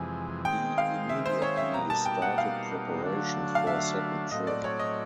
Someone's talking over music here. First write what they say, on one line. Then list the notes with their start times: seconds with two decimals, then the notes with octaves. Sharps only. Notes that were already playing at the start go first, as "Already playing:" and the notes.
He immediately started preparations for a second trip.
Already playing: F2 C3 E3 G#3 G#5
0.45 D#3 G#3 C4 G5
0.78 F5
1.09 E5
1.26 C5
1.42 C#5
1.57 E5
1.74 B2 G3 A#3 D#4 A#5
1.90 A5
2.06 G5
2.22 F#5
2.38 F5
3.02 D3 F#3 A3 D4
3.55 F5
3.67 E5
4.31 A2 F#3 A3 C4 D#5
4.47 D5
4.64 C#5
4.79 D#5